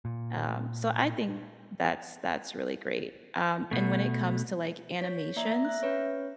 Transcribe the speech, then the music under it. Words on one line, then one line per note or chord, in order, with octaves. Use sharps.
Um, so I think that's that's really great. Um, and when it comes to, like, animations,
A#2
B2 A3
C#5 B6
A#3 D5 E5 A#5
E5 F#6
C#4 B4 C#5